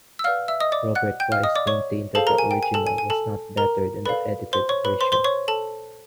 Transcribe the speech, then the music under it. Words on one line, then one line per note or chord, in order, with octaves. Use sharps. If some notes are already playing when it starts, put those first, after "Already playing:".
Robert Wise maintained that the original was not better than the edited version.
E6
B4 D5 F5 F#5 F6
E5 E6
D#5 D#6
D5 D6
F#5 F#6
G5 G6
F5 F6
D#5 D#6
D5 D6
C#5 C#6
G#4 A4 C5 F5 A5
A#4 A#5
G#5
G5
G#5
A4 A5
G#5
G#5
A4 A5
A#4 A#5
A4 B4 D5 F5 B5
C5 C6
C#5 C#6
B4 B5
C5 C6
C5 C6
C#5 C#6
A4 A5